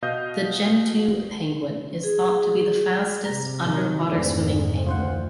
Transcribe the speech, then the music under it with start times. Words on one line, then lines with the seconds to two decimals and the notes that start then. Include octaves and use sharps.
The Gentoo penguin is thought to be the fastest underwater-swimming penguin.
0.02 B2 D#5 F5 G6
2.03 G#4
3.25 C3 A#5
3.64 D#3
4.11 F2 G#2 A3 C4 D4
4.86 D2 F4 C5 F#5